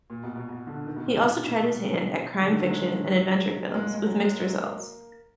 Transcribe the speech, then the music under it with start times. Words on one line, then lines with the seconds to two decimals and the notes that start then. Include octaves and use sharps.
He also tried his hand at crime fiction and adventure films, with mixed results.
0.10 A#2
0.23 B2
0.36 B2
0.49 B2
0.67 D3
0.87 D#3
0.96 B2
1.06 A#2
1.16 A#2
1.25 B2
1.45 B2
2.41 D3
2.51 D#3
2.60 F#3
2.69 G#3
3.17 F#3
3.37 F#3
3.56 F#3
3.70 A#3
3.74 G#3
3.94 G#3
4.07 F#3
4.20 G#3
4.33 A#3
4.45 F#3
4.58 A#3